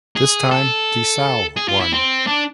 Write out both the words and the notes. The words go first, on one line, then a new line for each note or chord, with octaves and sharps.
This time DiSalle won.
G#4
A4
G#4
F4
E4
C4
D4